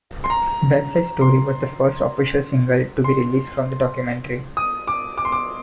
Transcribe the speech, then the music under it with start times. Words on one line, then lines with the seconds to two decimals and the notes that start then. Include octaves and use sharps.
"Westside Story" was the first official single to be released from "The Documentary".
0.24 C6
0.30 A#5
1.21 C6
3.04 C6
4.57 D#6
4.88 D6
5.18 D6
5.25 C6
5.32 D6